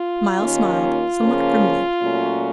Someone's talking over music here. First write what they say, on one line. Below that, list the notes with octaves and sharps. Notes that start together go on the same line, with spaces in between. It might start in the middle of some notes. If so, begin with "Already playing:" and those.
Myles smiled somewhat grimly.
Already playing: F4
D#2 D#3 A#3 C#4
C#3 F3 A#3 C#4
A#2 F#3 A3 C#4